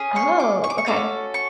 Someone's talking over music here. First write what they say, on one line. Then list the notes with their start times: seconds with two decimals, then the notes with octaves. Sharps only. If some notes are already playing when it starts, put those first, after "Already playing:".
Oh, okay.
Already playing: C#4 G#4
0.16 C#6
0.40 D6
0.64 C#6
0.70 D6
0.78 C#6
0.86 C#4 F#4 A4 D6
1.34 C#6